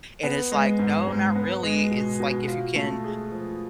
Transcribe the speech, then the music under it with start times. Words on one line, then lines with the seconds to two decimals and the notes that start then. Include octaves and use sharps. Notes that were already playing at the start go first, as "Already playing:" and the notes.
and it's like, "No, not really," it's like, if you can
0.23 B3
0.52 G#3
0.79 G#2
1.07 G#2
1.36 B3
1.63 G#3
1.91 B2
2.20 B2
2.48 F4
2.76 A3
3.04 G#4
3.32 F3